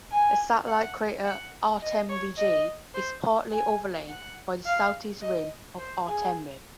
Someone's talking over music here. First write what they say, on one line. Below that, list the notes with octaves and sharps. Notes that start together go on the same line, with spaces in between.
The satellite crater Artem'ev G is partly overlain by the southeast rim of Artem'ev.
G#5
F#5
F#5
D#5
C#5
D#5
C5
G#5
F#5
F5
D#5
C5
G#4